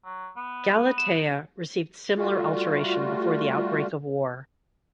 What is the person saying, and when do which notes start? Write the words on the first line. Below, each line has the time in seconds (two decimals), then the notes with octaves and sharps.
"Galatea" received similar alteration before the outbreak of war.
0.05 F#3
0.37 B3
0.98 E7
2.17 G3 A3 F4 F#4